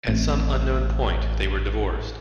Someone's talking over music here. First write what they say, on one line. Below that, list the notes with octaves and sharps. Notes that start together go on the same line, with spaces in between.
At some unknown point, they were divorced.
A1 A3 C4